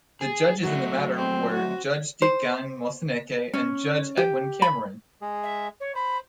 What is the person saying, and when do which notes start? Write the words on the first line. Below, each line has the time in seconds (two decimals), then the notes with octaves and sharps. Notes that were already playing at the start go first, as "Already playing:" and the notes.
The judges in the matter were: Judge Dikgang Moseneke and Judge Edwin Cameron.
0.21 G#4
0.63 F#3 A3 F#4
1.17 C4
1.54 F#4
2.22 C5
3.54 C#4
4.17 G4
4.62 B5
5.21 G#3 G#4
5.43 E5
5.80 C#5
5.94 C5 B5